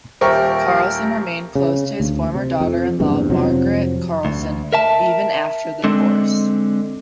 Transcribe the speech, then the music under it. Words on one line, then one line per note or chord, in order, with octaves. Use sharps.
Carlson remained close to his former daughter-in-law Margaret Carlson even after the divorce.
D#1 G4 A#4 E5 C#6
C#3
D2
C3
F2
F#1 E2 G2 C3
F2 C3 F3 F#3
D2
A#4 E5 A5
D3 G#3 C4